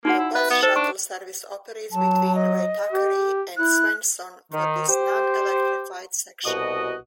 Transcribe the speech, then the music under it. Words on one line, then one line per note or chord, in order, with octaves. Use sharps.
A bus shuttle service operates between Waitakere and Swanson for this non-electrified section.
A#3 D#4 F#4 F#5
E4
B4 E5
B3
A4 C5
D4 C#6
F#3 A5
D#5
G4
E4 F#6
D#3
G4 C5
C2 B2 F#4 D#5 F#5 D#6